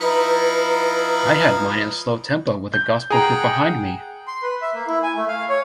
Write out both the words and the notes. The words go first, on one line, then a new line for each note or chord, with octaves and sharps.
I had mine in a slow tempo with a gospel group behind me.
F3 D#4 E4 B4 A#5 B5
G6
G#4 F#5 G5 A#5
C6
B4
E5
A#3
E4
G#5
A3
F5
C#5